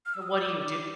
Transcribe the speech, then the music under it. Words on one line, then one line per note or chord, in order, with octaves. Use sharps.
what do you,
F6
E6
D#6
E6
D6